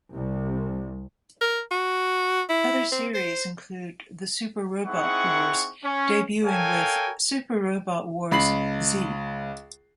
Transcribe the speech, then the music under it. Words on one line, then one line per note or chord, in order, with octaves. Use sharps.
Other series include the Super Robot Wars, debuting with "Super Robot Wars Z".
C2
A#4
F#4
E4
C4
C5
C4 D#4 E4 G#4 F#5 C#6
C#4
A4 A#4 C#5 F5 G5 G#5
C#2 B5 C7 F#7